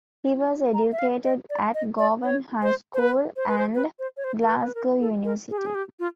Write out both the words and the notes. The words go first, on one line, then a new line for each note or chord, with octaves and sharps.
He was educated at Govan High School and Glasgow University.
A#5
E5
F5
D#5
D5
D#5
D5
C#5
C5
C5
B4
C5
B4
C5
B4
C5
C#5
C5
A#4
B4
B4
A#4
A4
A#4
G#4
G4
G#4
G4
F4